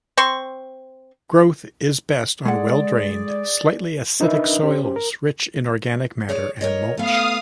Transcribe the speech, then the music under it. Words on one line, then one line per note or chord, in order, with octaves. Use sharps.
Growth is best on well-drained, slightly acidic soils rich in organic matter and mulch.
C4 C6 C#6
G#3 G#4 A4 D5 F#5
D4 D#4 A#4 B4 D#5 E5
C#4 G4 C5
A#4
G#4 C#5 D5
A#4 C#5 D#5
A3 B3 F5 D#6